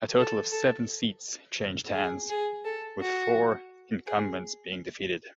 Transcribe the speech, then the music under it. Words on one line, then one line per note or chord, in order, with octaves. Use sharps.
A total of seven seats changed hands, with four incumbents being defeated.
A4
A4
G#4
G#4
A4
F#4
G#4